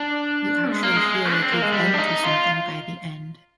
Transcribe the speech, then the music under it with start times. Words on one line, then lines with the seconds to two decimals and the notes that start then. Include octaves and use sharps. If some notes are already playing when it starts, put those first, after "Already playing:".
You actually feel like you have been through something by the end.
Already playing: D4
0.70 G#3
0.83 A#3
0.97 G#3
1.32 D4
1.42 C4
1.52 A#3
1.62 G#3
1.72 G3
1.94 D4
1.98 D#4
2.24 F4